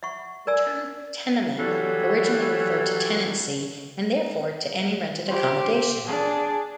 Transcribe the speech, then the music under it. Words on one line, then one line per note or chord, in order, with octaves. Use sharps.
The term "tenement" originally referred to tenancy and therefore to any rented accommodation.
E5 F#5 C#6
A#4 D5 G#5 E6
E3 F#3 G3 A4 C#5
G4 C5
D4 G#4